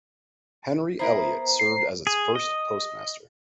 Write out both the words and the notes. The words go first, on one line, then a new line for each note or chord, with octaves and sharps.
Henry Elliott served as its first Postmaster.
B3 E4 A#4 C5 A#5
C7
G#4
D#5